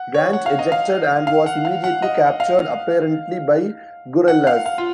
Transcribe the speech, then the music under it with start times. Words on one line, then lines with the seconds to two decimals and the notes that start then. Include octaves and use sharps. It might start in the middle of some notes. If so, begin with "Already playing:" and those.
Gant ejected and was immediately captured, apparently by guerrillas.
Already playing: F#5
0.14 C#5
0.33 F#5
0.46 F5
0.59 D#5
0.72 F5
1.27 F5
1.46 F#5
1.65 F5
1.84 F#5
2.02 D#5
2.40 F5
4.28 F#5
4.47 F5
4.66 F5
4.78 F4